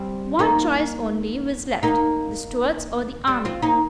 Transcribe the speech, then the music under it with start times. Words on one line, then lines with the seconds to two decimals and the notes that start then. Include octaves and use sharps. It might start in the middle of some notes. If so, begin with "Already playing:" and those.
One choice only was left, the Stuarts or the army.
Already playing: G3 C4
0.39 A#3 D#4
1.83 A#3 D#4
3.27 G3 C4
3.45 C4 F4
3.62 A#3 D#4